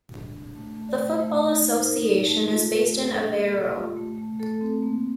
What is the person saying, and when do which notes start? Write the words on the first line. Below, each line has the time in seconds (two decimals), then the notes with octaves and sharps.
The Football Association is based in Aveiro.
0.13 D4
0.34 D4
0.55 A3
0.77 A3
0.89 D5
0.98 A3 C5
1.20 A3
1.41 D#4
1.62 D#4
1.78 C5
1.84 D#4 A#4
2.05 D#4
2.27 A3
2.48 F4
2.69 A3 A#4
2.83 G4
2.90 A3
2.98 A4
3.11 D4 G4
3.26 G4
3.33 A#3
3.40 A4
3.54 A#3 G4
3.76 F4
3.97 A3
4.18 A3
4.40 A3 A4
4.61 C4
4.82 A#3